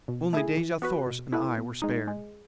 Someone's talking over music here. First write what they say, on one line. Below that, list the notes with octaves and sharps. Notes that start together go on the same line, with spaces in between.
Only Dejah Thoris and I were spared.
B2
A3 E4 G#4
E3
B3 F#4 B4
B2
A3 E4 B4
B2
G#3 D#4
G#3